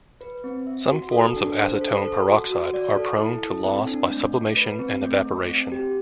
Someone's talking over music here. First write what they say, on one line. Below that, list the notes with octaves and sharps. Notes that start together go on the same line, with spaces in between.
Some forms of acetone peroxide are prone to loss by sublimation and evaporation.
B4
C4
E5
F#4
A4
D4
C5
A4
A4
F#4
F#4
D5
A4
E4
A4
C4
D4
A3
A3
B4
C4
A3
A3
C4
G4